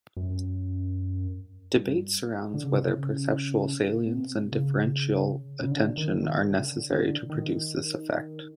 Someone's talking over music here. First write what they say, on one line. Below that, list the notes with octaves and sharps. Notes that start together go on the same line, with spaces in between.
Debate surrounds whether perceptual salience and differential attention are necessary to produce this effect.
F#2
G2
D3
C#3
C3
C#3
B2
C3
C#3
C#3
D3
D#3
D#3
D3
C#3
D3
D3
D#3